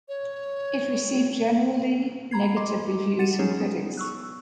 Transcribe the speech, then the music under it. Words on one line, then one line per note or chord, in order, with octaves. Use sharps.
It received generally negative reviews from critics.
C#5
A#5 B5 G#6 C7
D#5 C6 D6
F#5 A6 C#7 D#7 E7
F#3 C#4 D#4 G#4 C#5
B3
C#6 E6 F#6